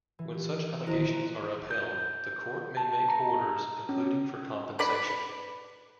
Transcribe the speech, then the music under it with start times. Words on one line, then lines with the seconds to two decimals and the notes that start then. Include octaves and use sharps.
When such allegations are upheld, the court may make orders, including for compensation.
0.19 E3
0.34 G4
0.87 A#1 D#3 E4 C5 A#5
1.71 G6
2.77 A5
3.09 A#5
3.89 C#4
4.79 B4 D5 B5